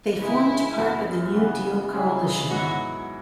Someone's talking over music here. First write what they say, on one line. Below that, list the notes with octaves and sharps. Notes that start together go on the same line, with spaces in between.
They formed part of the New Deal Coalition.
C#3 E3 G#3 E4
F#2 E3 B3 F#4
C#3 E3 B3
C#3 G#3 C#4 E4 G#4
G#2 F#3 B3 E4 F#4